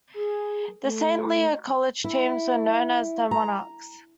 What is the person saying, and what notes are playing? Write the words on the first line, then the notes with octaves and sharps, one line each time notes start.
The Saint Leo College teams were known as the Monarchs.
G#4
A3
E4
A#5